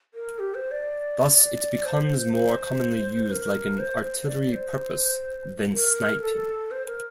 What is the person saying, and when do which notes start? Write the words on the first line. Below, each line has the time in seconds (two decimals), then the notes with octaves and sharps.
Thus it becomes more commonly used like an artillery purpose than sniping.
0.14 A#4
0.39 G4
0.55 C5
0.71 D5
1.85 C5
2.33 C5
3.31 A#4
3.79 C5
4.03 C5
4.27 D5
4.52 C5
5.74 A#4
6.22 A4
6.71 C5
6.87 A#4